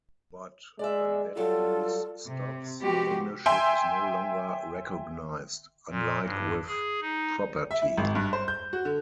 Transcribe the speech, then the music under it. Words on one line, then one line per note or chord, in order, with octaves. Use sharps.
But, when that use stops, ownership is no longer recognized, unlike with property.
G#3 D5 E5
F#3 G3 F4 A4
C3
F3 G#3 B3 F#4 G4
E5 G5 G#5 C6 E6
A#2
G2
G#4
D#4
E5
E4
G#1
G2
C5
G6
F#4
D3